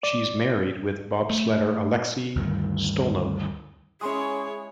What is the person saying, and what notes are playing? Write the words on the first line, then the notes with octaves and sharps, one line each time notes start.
She's married with bobsledder Alexey Stulnev.
D5
A3
D2 G2 D#3
G#3 C#4 E4 G#4 C#5 C6 C#6 D#6